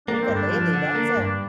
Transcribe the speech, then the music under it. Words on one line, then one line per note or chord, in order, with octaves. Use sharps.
Ukulele, that's a
A#3 D4
C4
G2
D4
F3
D3
A#3
G2